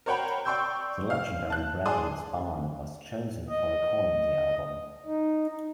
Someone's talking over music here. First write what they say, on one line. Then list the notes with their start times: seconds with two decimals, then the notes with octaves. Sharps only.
The legendary Bradley's Barn was chosen for recording the album.
0.06 A#4 C5 C#5 F#5 G5 B5
0.45 D5 G5 C6 C#6 E6 G6
1.10 F5 F6
1.50 A5 F#6
1.86 G#4 D5 A5 C6 D#6
3.49 D#5
5.06 D#4